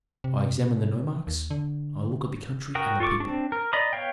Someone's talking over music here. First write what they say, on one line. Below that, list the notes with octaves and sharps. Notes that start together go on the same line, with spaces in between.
I examine the nomarchs, I look at the country and the people.
C3
D#2
D3
F#4 A#4 G5 D#6
F4 A4 C#6 D6
C4 D4
A#4
D5 D#5 A#5 B5 D#6
B3 C#5 F5 G5